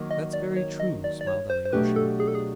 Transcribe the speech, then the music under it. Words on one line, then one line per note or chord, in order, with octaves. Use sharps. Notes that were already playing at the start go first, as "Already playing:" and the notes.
"That's very true," smiled Alyosha.
Already playing: D#3 F#3 A#3
D#5
D5
C#5
D#5
D5
D5
C#5
C5
C5
B2 F#3 A3 D4 G4 B4
A4
G#4
A4
G#4